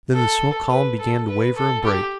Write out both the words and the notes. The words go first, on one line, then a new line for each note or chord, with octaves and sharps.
Then the smoke column began to waver and break.
A4
B4
A4
B4
A4
G4